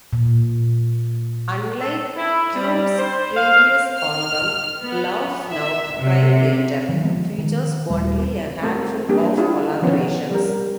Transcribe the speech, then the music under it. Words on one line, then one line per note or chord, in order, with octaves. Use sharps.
Unlike Cube's previous album, "Laugh Now Cry Later" features only a handful of collaborations.
A#2
A4
E4
G3
C5
F5
F6
B3
E5
C3
D#3 F#3
F3 F#3 G#3 B3
D#3
D#1 G3 A3
A3 C4 A4 A#4
G3 A#3 D4 G4 G#4
D4 E4 F4 G#4
D#3 F3 B3 C#4
G3 A#4